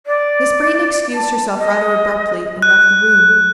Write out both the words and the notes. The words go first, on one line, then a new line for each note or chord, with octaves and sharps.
Miss Brayton excused herself rather abruptly and left the room.
D5
A5
D#5
F#6